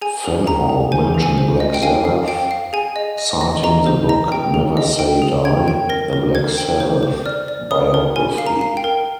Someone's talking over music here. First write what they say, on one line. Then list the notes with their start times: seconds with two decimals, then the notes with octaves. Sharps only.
Fenholt mentioned Black Sabbath, citing the book 'Never Say Die', a "Black Sabbath" biography.
0.01 G#4 G#5
0.24 G#4
0.47 G#4 A#5
0.69 G#4
0.92 C5 G#5
1.14 G#4
1.22 G#5
1.38 C5
1.60 D#5
1.74 G5
1.82 F5 G#5
2.05 F5
2.28 F5 G5
2.51 F5
2.73 G#4 G#5
2.96 D#5
3.18 D#5
3.41 D#5
3.63 D#5 A#5
3.86 C5
4.09 D#5 A#5
4.32 G5
4.54 G#4
4.77 D#5
4.99 G5
5.22 G#4
5.45 G5 G#6
5.68 G5
5.89 A#4 A#6
6.13 A#4
6.35 C5 G#6
6.58 G5
6.80 C5
7.03 C5
7.26 D5 F6
7.48 D5
7.71 A#4 D#6
7.94 A#4
8.16 A#4 G#5
8.38 F5
8.46 A#5
8.61 F5
8.77 G5
8.84 A#4